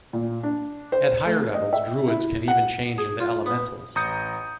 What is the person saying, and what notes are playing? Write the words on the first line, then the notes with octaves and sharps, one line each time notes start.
At higher levels Druids can even change into elementals.
A#2
D4
C5
A3
D#5
E5
E4
F#5
G#4
F4
B3
A1 A#5 D#6 G6 C#7